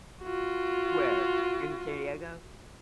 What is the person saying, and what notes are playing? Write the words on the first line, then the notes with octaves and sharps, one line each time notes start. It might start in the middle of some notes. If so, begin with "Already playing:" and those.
Where? In San Diego?
F4 F#4